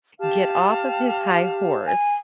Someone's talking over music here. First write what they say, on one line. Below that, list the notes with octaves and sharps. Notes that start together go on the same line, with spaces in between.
get off of his high horse
G4 F5 A5 F6
G#5